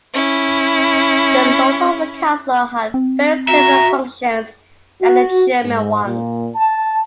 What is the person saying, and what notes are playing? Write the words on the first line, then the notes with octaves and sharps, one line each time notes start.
The lord of the castle had very similar functions than the German ones.
C#4 E4
C4
F#4 E5 A#5
F#4
G#2
A#2
A5